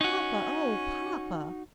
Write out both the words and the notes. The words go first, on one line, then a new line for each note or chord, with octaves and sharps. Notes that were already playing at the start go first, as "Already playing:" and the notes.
"Papa--oh, papa!"
C#4 D#4 F#4